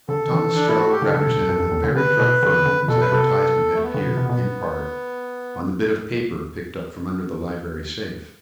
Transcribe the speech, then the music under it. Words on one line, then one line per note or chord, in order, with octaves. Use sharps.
Tom Ostrello represented the very drug firm whose advertisement had appeared, in part, on the bit of paper picked up from under the library safe.
D3 A4
E3
D4
E4
F#4
G4
D3 A4
D3
B2
E2
F#2
F#2
E2
D3
D3 B4
B2
D3
D3
B2 A4
B4
C3 A4
A3
B3
D3
B2
C3
B2 B3